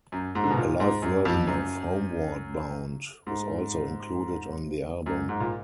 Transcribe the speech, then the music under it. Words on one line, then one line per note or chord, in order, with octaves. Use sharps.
A live version of "Homeward Bound" was also included on the album.
F#2
G#2
D3
B2
A#2
G#2
F#2
F2
F#2
G#2
F#2
G#2
A#2